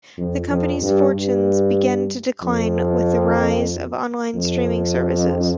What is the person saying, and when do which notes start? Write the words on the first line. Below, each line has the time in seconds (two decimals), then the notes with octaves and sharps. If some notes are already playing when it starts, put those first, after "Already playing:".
The company's fortunes began to decline with the rise of online streaming services.
0.18 F2
0.50 F2
0.82 G2
1.13 G2
2.43 F2
4.35 F2